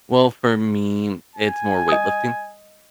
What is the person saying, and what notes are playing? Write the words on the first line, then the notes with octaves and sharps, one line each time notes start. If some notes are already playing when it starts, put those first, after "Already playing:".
Well, for me, it's more weightlifting.
G#5
D#5 D#6